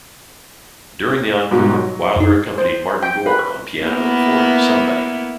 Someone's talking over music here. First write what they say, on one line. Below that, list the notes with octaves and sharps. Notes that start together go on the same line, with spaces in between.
During the encore, Wilder accompanied Martin Gore on piano for "Somebody".
G#2 B2 G3
F#3
F#2 D#4
C5
G5
B4
A#3 B3 E4